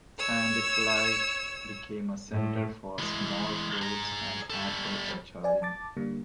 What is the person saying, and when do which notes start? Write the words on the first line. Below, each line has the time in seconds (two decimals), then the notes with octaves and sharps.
Sandfly became a center for small fruits and apple orcharding.
0.19 C#5 E6
2.31 A2
2.99 E3 G#3
3.82 G#4 A#5
4.50 G3 A4
5.43 B4 D5 G#5
5.62 A5 D6 A6
5.97 D3 G3 A#3